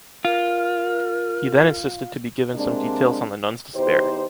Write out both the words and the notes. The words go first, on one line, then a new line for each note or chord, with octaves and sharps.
He then insisted to be given some detail on the nuns’ despair.
F4 A#4
C3 G#3 A#3 C4 D4
E2 D#4 G4 C5